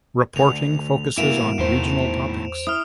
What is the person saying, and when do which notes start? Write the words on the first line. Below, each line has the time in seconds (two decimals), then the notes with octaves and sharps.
Reporting focuses on regional topics.
0.36 D2 F7
1.17 C2 B2 E3 A#3 E4 D7 E7 F7
1.59 E2 A2 D#3 C5
2.67 E4 D#6 F6